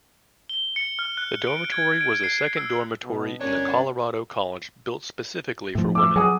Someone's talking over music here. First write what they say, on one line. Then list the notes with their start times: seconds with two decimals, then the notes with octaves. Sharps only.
The dormitory was the second dormitory in the Colorado College built specifically for women.
0.49 G7
0.76 C#7
0.99 F6
1.17 F#6
1.47 D7
1.72 G#6
2.01 D7
2.23 C7
2.57 E6
3.04 B2
3.41 G1 C#4 D4 A#4 C#5
5.75 A2 F3
5.95 D6 E6
6.16 F#3 G#4 F#5 D#6